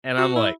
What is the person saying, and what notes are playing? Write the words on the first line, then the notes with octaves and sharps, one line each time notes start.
and I'm like
F#4
E4